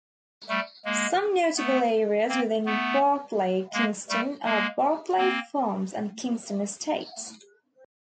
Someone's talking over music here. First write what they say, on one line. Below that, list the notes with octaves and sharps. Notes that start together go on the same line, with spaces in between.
Some notable areas within Barclay-Kingston are Barclay Farms and Kingston Estates.
G3 A3
G#3 A#3
A3 B3
A#3 C4
A3 B3
G#3 A#3
G3 A3
G#3 A#3
A#3 C4